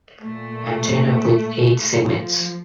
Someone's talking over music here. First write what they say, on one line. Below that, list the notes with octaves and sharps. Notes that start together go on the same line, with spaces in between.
Antenna with eight segments.
A#2 A3
F3